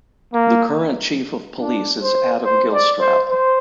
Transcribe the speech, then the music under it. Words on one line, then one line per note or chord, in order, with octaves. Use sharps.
The current chief of police is Adam Gilstrap.
A#3
D4
C5
C5
D5
C5
C5